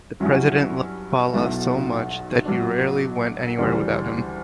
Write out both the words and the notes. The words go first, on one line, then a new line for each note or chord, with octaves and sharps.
The President loved Fala so much that he rarely went anywhere without him.
G2 F#3 C#4 E4
B1 B2 F#3 A3 E4
A2 F#3 B3 D4
D2 C#3 E3 G3 D4